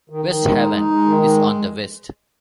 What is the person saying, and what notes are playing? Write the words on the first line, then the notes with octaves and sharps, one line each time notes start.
West Haven is on the west.
D#3
D#3
G#3
D#4
D#4
G#3
D#3
G#3